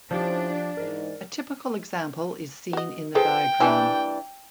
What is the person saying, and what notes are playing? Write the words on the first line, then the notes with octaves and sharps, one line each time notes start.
A typical example is seen in the diagram.
F3 C#4 D4 E4 G4 C5 D5
G#2 E3 A#4
F#4 D#5
F3 G#4 A4 B4 G5
E3 G3 A#3 D4 E5 G#5